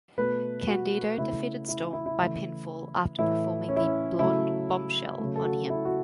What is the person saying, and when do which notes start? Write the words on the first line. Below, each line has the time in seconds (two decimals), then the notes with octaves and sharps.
Candido defeated Storm by pinfall after performing the "Blonde Bombshell" on him.
0.18 B2 A3 B4
0.67 F#4
1.18 C#3 A3 E4
1.68 E4
1.93 E4
2.06 E4
2.18 C#3 E3 A3
3.19 A2 E3 A3 E4
3.69 C#4
3.76 E4
3.83 C#4
4.19 C#3 F#3 A3 E4
5.19 C#3 F#3 A3
5.36 A4
5.45 F#4
5.70 E4
5.85 F#4